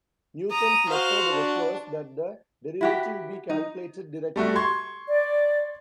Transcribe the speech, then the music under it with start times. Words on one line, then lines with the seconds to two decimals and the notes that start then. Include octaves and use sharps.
Newton's method requires that the derivative be calculated directly.
0.51 A#5 D#6
0.89 F#4 C5 F5
1.30 D4
2.81 E4 F#4 G4
3.50 D#4
4.36 G3 A3 F#4
4.56 C6 C#6 G#6
5.08 D5